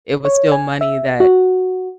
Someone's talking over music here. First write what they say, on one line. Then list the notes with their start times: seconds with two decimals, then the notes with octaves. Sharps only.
it was still money that
0.25 C#5
0.52 G#5
0.81 E5
1.20 F#4